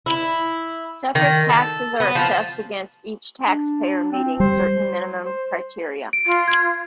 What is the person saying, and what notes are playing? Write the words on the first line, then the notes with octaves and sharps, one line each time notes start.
Separate taxes are assessed against each taxpayer meeting certain minimum criteria.
E4
D#3
A4
B3
F3
D4
C4
G3 C5
C5
D7
F4
G#6